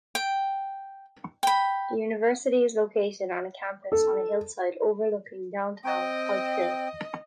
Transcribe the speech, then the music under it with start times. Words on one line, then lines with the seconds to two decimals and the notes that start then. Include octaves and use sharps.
The university is located on a campus on a hillside overlooking downtown Pikeville.
0.15 G5
1.43 G5 B5
3.92 A4
5.84 C4 D#5 G5